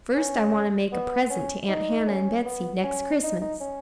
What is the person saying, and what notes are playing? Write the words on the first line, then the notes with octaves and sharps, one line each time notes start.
"First, I want to make a present to Aunt Hannah and Betsey, next Christmas."
C#4
B3
C#4
D#4
D#4
C#4
B3
C#4
D#4
D#4
C#4